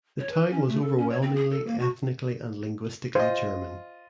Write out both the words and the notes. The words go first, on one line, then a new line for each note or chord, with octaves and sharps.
The town was overwhelmingly ethnically and linguistically German.
C#5
B4
C#4
A3
A4
C#4
C#5
C4
G#4
A4
A#3
F#4
F4 C5 D#5